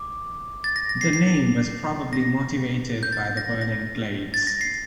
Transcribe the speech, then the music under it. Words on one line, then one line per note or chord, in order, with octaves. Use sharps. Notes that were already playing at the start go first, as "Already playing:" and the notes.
The name was probably motivated by the burning glades.
Already playing: D6
A6
A#6
A#6
C7
C7
A#6
G6
A6
A#6
A#6
A6
A#6
C7